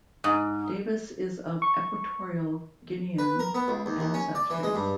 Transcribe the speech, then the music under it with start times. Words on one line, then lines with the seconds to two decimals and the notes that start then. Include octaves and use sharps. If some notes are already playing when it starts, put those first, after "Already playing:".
Davis is of Equatorial Guinean ancestry.
0.24 G#2
1.62 C#6
3.19 B4
3.39 A#4
3.55 B3
3.68 C#2
3.86 D#2
4.00 D#2
4.14 C#4
4.35 D5
4.50 E3
4.63 G#3
4.75 G2